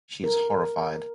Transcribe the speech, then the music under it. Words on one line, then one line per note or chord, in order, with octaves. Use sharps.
She is horrified.
A#4